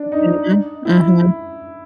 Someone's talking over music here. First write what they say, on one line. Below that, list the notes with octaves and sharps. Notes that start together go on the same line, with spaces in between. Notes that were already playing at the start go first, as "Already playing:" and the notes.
Mhm. Mhm.
Already playing: D4
D#4
E4